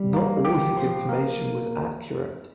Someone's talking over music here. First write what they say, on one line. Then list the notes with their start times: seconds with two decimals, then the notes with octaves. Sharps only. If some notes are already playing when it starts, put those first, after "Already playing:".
Not all of his information was accurate.
Already playing: G3
0.13 A#3
0.45 G4
0.77 F3
1.09 A#3